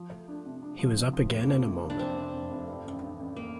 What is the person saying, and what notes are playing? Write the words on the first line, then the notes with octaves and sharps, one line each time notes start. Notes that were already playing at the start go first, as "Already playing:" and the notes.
He was up again in a moment.
Already playing: F3
A3
D4
C3
D4
F3
C3
F3
F1 A#3
F2
C3
F1
D4
F1 C4
C3
F1
F1
G2
A1
G2
A1
A#3